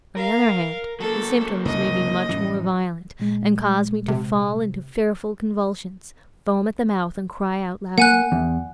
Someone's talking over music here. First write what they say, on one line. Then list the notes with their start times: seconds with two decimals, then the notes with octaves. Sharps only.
On the other hand, the symptoms may be much more violent, and cause me to fall into fearful convulsions, foam at the mouth, and cry out loudly.
0.17 A#4 F5
1.00 F#3 A#3 A4
1.65 F#1 C2 E3 D#5
2.29 A1 F#2 E3
3.19 A#2 G#3
4.08 C3
7.98 A#3 F#5 G#5 F#6
8.32 E2